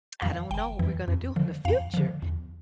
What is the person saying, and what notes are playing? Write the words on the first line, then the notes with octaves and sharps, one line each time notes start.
"I don't know what we're gonna do in the future."
F2 E3 F5
G1 G5
F2 E3
F2
D3 F3
F2 F5
D3 F3
E2